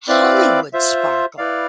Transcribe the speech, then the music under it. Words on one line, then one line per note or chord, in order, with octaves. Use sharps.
Hollywood sparkle.
C4 E4 B4 D5 F5
F4 C5 E5
E4 B4 D5 F5